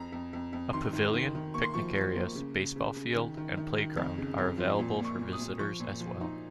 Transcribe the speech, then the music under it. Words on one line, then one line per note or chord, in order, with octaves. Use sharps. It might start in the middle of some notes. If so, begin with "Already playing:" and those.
A pavilion, picnic areas, baseball field, and playground are available for visitors as well.
Already playing: F2 A#5
F2
F2
F2
D#3 C6
D#3
D#3
D#3
A#3 C#6
C6
F3 C#6
F3
A#3
C#3
C#3
C#3
C#3
D#3
D#3
D#3
D#3
F2
C#3
F2
F3
A#2
A#2
C#6
A#2
D#6
A#2
F3 C#6
A#2
F3
D#4